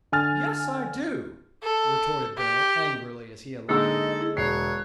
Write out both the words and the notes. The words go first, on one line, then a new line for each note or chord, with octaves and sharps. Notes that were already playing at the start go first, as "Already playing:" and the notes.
"Yes, I do," retorted Beryl, angrily, as he alighted.
D3 G#5 F6 A6
A4
G4
D3 G#3 A#3 D4 D#4 A4 D#5 E6
E4 G#4
E1 C#5 F#6 C7